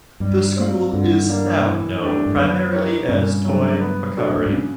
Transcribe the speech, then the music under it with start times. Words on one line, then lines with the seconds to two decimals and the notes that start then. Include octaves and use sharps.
The school is now know primarily as Toi Whakaari.
0.20 G2 G3
0.57 C4 F4
0.93 G2 D3
1.29 G3 A#3 D4
1.64 E3
2.00 A3 D4 G4
2.26 G2
2.36 F#2 B3
2.73 D#4 G4 A#4 C#5
3.09 G2 C#3
3.45 F#3 A3 D4
3.81 B3
4.17 D4 F#4 A4
4.30 A#2
4.37 A2
4.46 G#2
4.53 C#3